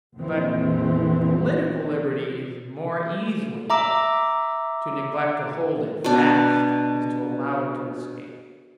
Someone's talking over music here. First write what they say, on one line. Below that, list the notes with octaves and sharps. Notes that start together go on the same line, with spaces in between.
But political liberty is more easily lost; to neglect to hold it fast is to allow it to escape.
A#1 F2 E3 C4
E5 A#5 D6 E6
B2 D4